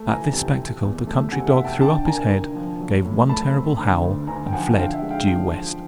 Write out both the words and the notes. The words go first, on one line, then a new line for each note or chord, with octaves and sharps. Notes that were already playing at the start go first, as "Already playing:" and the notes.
At this spectacle, the country dog threw up his head, gave one terrible howl, and fled due west.
Already playing: A3
E3 G#5 A#5
C3 G5 A5
C3
E2
A3
C3 F#5 G#5
E5 F#5
C3
G5 A5
D3 G5 A5
A#3 G#5 A#5
D3
F3
F#3
A2
A3 A5 B5
C4
D2
D2
D2 G#5 A#5
G5
F3 F#5 G#5
D3 F5 G5
E5 F#5
G#3
F5 G5
F3
F3